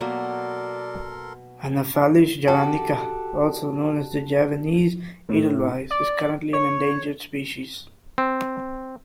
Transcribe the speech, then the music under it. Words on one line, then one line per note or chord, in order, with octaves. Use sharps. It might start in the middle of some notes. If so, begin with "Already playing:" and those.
"Anaphalis javanica", also known as the Javanese Edelweiss, is currently an endangered species.
B2 F#3 A#3 A4 A#4 D5 C6
F#4 G4 A4 A5
A2
D5
C#5
C4